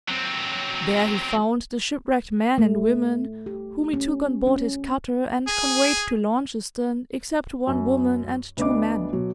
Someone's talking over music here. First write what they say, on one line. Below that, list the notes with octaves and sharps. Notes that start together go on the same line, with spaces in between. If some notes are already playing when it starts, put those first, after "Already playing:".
There he found the shipwrecked men and women whom he took on board his cutter, and conveyed to Launceston, except one woman and two men.
F#3 C4
A3
G4
C#4
C#4
G#4
F#2
D2 B3 D4 D#5 D6
B2 F#3